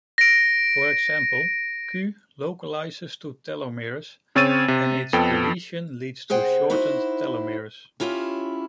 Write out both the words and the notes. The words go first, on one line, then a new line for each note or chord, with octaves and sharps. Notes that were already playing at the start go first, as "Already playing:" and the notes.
For example, Ku localizes to telomeres and its deletion leads to shortened telomeres.
A#6 D7
C#3 C4 C#5 E6 A6 D#7
C3
F2 B3 A4 G5
C3 G#4 C5 F#5 G5
D#4 E4 F#4 C5
C#4 E4 F4 G4 C5 C#5